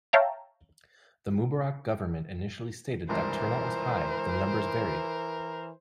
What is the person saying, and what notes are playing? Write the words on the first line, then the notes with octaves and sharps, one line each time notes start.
The Mubarak government initially stated that turnout was high, though numbers varied.
C#5 E5 F5 G5 A5 A#5
C#2 G2 C3 E3 A#4 C5